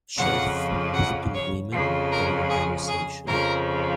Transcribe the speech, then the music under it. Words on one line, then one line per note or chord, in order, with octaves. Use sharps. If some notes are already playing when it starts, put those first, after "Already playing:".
Chef with two women having a conversation.
F2 C#3 F3 F#5
F#5
C#5
F2 C#3 F3
A#4
G#4
G#4
F2 C#3 F3 A#4